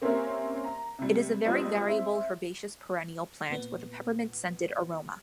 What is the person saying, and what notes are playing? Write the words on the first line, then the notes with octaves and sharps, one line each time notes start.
It is a very variable herbaceous perennial plant with a peppermint-scented aroma.
A#3 C4 C#4 E4 G4 A#4
A#5
C3 G3
A#1 F3 G3 B3 C4 D#5
C4 E4
A#2 B3